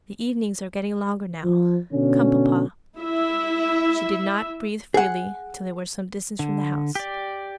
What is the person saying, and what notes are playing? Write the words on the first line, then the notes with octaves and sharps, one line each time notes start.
'The evenings are getting longer now. Come, papa.' She did not breathe freely till they were some distance from the house.
F3
B2 D3 C#4
E4 E5
G#4 F#5
D3
G4 D5